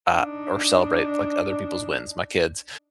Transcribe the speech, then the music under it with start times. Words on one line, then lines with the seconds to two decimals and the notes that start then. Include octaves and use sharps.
uh, or celebrate, like, other people's wins, my kids,
0.13 D4 D#4